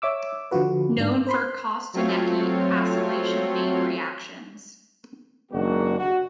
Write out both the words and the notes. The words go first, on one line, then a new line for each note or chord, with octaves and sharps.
Known for Kostanecki acylation name reactions.
C#5 E5 D6 E6
D3 F3 F4 F#4 B4
G#2 D4
C5 B5 C6
F#3 A3 C4 F4 C#5
F#1 D#3 G#3 A#3 D4 F#4
F#4